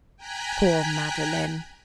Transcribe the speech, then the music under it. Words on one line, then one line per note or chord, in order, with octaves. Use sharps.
Poor Madeline!'
G5 G#5 A#5 F#6 G#6 B6